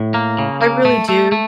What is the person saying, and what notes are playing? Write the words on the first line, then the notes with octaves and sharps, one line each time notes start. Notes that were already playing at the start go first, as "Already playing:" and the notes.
I really do.
Already playing: A2
A#3
C#3
A#3
A3
A3
A3